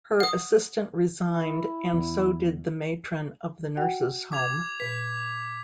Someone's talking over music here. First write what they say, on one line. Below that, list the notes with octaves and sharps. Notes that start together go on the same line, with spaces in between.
Her assistant resigned and so did the matron of the nurses' home.
F#5 D#6
E4
E2
F#4 F#5 G5
D6 G#6 F7
A#2 B4 B6